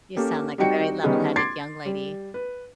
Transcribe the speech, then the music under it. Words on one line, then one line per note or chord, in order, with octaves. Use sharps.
You sound like a very level-headed young lady.
A#3 C#4 G4 A4
G3 C4 D#4 F#4 G5 C#7
D#3 G3 B3 C#4 D#4 G#4
C6 D6 G#6 A6 C7 D7
G3
B4